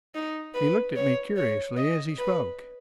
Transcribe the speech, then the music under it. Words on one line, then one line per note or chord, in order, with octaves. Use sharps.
He looked at me curiously as he spoke.
D#4
B4
C#5
C#5
D#5
B4